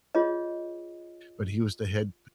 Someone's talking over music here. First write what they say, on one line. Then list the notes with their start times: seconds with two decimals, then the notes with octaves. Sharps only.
but he was the head
0.15 F4 G#4 C#5 D#5